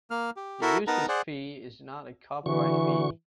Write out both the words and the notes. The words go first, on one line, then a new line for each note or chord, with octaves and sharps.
The usage fee is not a copyright fee.
A#3 F6
G4
E4 F#4 A4 A#4 E5
B3 D#4 A#4 B4 A5 A#5
G#4 C5 D5 F#5
D3 E3 F#4 C#6